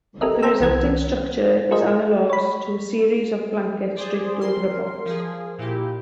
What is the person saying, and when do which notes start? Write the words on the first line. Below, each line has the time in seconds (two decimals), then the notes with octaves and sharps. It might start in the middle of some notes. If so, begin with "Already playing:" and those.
The resulting structure is analogous to a series of blankets draped over a box.
0.21 C4 G4 A4 A#4 D#5 E5
0.42 A4 C5 G5 A#5 E6
0.61 C2 E3 G#6
1.71 F4 G#4 A#4 C5 D#5
2.30 C#5 B5
3.96 G#4 C5 D5
4.41 A#4 C6
5.05 F3 G#4 A#4
5.58 A#2 E4 G4